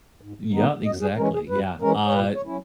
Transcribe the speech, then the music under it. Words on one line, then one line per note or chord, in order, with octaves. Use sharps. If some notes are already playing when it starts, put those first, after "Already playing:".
Yeah, exactly, yeah, uh
G#2
D#3 G#3 B3 D#4
F#2 D#5
G#4
E3 G#3 C#4 A#4
G#4
F#2 B4
E3 G#3 C#4 A#4
C#5
A#2 B4
C#5
F#3 C#4 E4